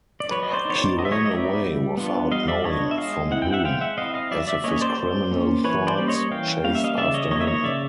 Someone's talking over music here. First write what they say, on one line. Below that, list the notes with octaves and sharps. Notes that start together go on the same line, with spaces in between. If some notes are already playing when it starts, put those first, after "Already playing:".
He ran away without knowing from whom, as if his criminal thoughts chased after him.
D5
F#3 B4 C#5
D#5
C5 D5
B3 D#4 C#5
C5 D5
F#3 D#5
E5
C#5 D#5
D#5
B3 D#4 D5 E5
G3
B3 D4 F4
G3 D#5 F5
F5
D5 E5
B3 D4 F4 C#5 D#5
E5
G#3 D#5 F5
C4 E4 F#5
G5
E5 F#5
G#3 F5 G5
E5 F#5
C4 E4 D#5 F5
D#5 F5
F#3 D5 E5
D5 E5
A#3 C#4 C#5 D#5
C5 D5
F#3
A#3 C#4
E3 B4 C#5
C5 D5
G3 A#3 C#4
C#5 D#5
E3 F5 G5
G3 A#3 C#4 F5
E5
D#5 F5
C#3 D5 E5
C#5 D#5
F3 A#3 D#4 C#5 D#5
E5
C#5 D#5
C#3 D5 E5